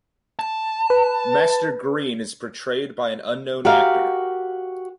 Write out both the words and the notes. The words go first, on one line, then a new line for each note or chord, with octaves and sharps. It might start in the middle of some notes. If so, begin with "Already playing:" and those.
Master Green is portrayed by an unknown actor.
A5
B4
F#4 G4 A#4 F5